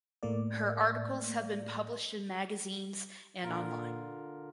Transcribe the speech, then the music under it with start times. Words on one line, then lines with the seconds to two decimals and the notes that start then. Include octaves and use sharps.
Her articles have been published in magazines and online.
0.23 A2 A3 A#3 D5
3.44 A#2 D3 F4 A#4